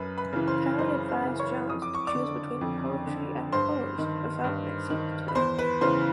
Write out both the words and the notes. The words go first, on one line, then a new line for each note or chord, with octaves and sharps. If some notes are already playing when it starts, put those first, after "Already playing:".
Parry advised Jones to choose between poetry and prose without mixing the two.
Already playing: F#2 B4 B5
B4 B5
C#3 E3
C5 C6
F#2 C5 C6
C5 C6
C#3 E3
C#5 C#6
F2 D#6
D6
C#6
D5 D6
D3
F2
D3
G2 C5 C6
D#3
G2
D#3
B5
E2 C5 C6
B4 B5
C#3 E3 C5 C6